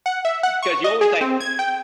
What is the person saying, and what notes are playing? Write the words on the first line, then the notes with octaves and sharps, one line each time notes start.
'cause you always, like,
F#5
E5
F#5
C#6
D#5
G#4
C4
G#6
G5